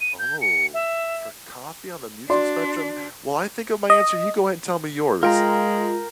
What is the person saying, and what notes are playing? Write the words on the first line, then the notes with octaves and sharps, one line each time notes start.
Oh, for coffee on the music spectrum. While I think of my answer, you go ahead and tell me yours.
D#7
G6
C#7
E5
D4 F#4 D5 C6
D#5
G#3 F4 A#4 G5 A#5